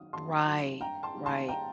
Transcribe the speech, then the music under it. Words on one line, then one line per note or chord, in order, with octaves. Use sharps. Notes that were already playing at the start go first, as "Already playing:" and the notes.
Right, right,
Already playing: D#3 F#3 D#6
F#2 A5 C6
D#3 F#3
G2 G5 A#5
A5 C6
D#3 G3
A5 C6
G5 A#5